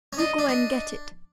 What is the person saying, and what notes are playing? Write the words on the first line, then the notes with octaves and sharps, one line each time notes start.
You go and get it.
C#4
D4 D#5
D4
D4 D#5